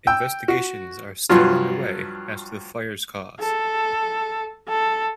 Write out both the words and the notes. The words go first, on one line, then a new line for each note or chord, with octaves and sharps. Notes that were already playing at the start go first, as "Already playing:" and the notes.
Investigations are still underway as to the fire's cause.
G5 E6
F#4
G2 F3 F#3 F4
A4
A4